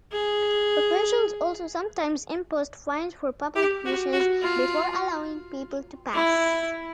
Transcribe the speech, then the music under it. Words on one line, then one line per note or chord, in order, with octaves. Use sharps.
Officials also sometimes imposed fines for public nuisance before allowing people to pass.
G#4
G4
F#4
F#4
F4
E4